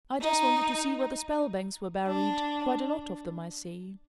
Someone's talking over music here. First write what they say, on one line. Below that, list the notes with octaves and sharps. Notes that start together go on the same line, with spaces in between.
"I just wanted to see where the Spelbanks were buried--quite a lot of them, I see."
D#4
D4